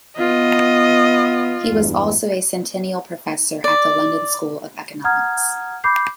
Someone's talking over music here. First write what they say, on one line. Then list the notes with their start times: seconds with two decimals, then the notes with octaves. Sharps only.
He was also a Centennial Professor at the London School of Economics.
0.18 B3 F4 D#5
1.69 E2 G2
3.64 D5
5.04 F#5 A#5 D#6 F6 G#6
5.84 B5 D6 G6 C7